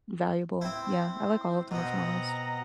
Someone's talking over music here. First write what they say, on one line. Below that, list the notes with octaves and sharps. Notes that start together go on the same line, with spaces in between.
valuable. Yeah, I like all of them, if I'm honest.
C4 E4 C5
B2 C4 D#5 F#5 A#5